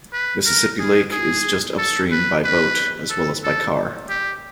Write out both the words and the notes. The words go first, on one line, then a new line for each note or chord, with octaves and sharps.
Mississippi Lake is just upstream by boat, as well as by car.
B4
A#4
G#4
G#4
A4
B4
B4
A4
A4
G4